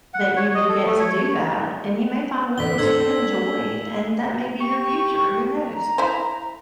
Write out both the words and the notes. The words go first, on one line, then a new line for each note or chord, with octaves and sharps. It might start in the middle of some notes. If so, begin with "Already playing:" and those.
that you would get to do that, and you may find one that you would enjoy, and that may be your future. Who knows?
F#5
C#5
D#5
A4
A3
C#5
E2 D3 E3 B6 G7
D4 A4 C5 E6 G#6
G4 C#6
A#5
E4 C5